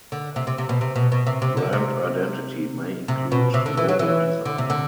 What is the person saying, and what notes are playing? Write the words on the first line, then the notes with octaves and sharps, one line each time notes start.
Brand identity may include logo design.
D3
C3
C3
C3
B2
C3
B2
B2
C3
C3
D3
C3
C3
B2
C3
D3
E3
F#3
E3
D3
C3
D3